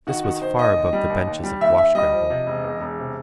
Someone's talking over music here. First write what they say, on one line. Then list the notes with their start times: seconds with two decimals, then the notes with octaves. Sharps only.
This was far above the benches of wash-gravel.
0.07 D#3 F#4
0.24 D#3 F#4
0.41 D#3 C5
0.58 D#2 D#5
0.76 D#2
0.93 G3
1.10 D#2
1.27 D#2
1.44 G3
1.61 D#2 E5
1.78 D#2 E5
1.95 G3 D#5
2.12 F3
2.30 C3
2.47 E1
2.64 E2
2.81 E1
2.99 C3